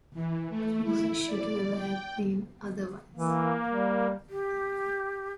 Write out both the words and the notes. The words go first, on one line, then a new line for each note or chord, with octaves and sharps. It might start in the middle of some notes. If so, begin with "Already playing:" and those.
Why should you ever have been otherwise?
E3
A3
E4
D5
G5
E3 A#3
G3
G4